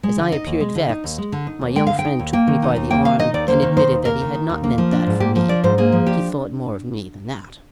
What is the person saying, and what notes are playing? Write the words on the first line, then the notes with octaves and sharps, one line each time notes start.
As I appeared vexed, my young friend took me by the arm and admitted that he had not meant that for me; he thought more of me than that.
G#3
D3
D#4 D#5
D#2
G#3
D3
D#4
D#2
G#3
D3
D#4
D#2
G#3 G5
D3 F5
G5
D#4
D#2
A#3 G5
D#3
D#4
D#2
A#3 G5
D#3 F5
D#4 D#5
D#2 D5
A#3 C5
D#3
D#4 C5
D#2
A#3 A#4
D#3
D#4
D#2
A#3
F3
D4
G#2
A#3 G4
F3
D4 D5
G#2 C5
A#3 G#4
F3
D4 G4